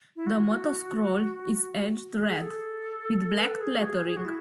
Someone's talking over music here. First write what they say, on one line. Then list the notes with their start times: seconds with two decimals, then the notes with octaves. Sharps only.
The motto scroll is edged red, with black lettering.
0.16 E4
0.27 F#4
2.17 G#4
2.31 G#4
2.42 A4
3.38 B4
3.49 A4
3.61 G#4
3.80 F#4
3.85 G#4
4.08 G#4
4.17 F#4
4.25 E4